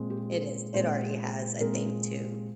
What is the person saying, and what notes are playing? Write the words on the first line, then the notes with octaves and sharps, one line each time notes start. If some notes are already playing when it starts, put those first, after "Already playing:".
It is, it already has, I think, to
Already playing: A#2 G#3 C4
G4
G#4
A#2 G#3 C4 C5
A#2 G#3 C4 A#4